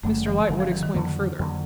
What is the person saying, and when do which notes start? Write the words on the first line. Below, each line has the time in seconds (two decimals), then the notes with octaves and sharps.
Mr Lightwood explained further.
0.03 F#1 F#2 D3 G3 A3
0.26 E3
0.49 F#1 F#2 D3 D#3 G3
0.60 F3
0.71 E3
0.83 D#3
0.94 F2 D3 F#3 A#3
1.39 F2 D3 F#3 A#3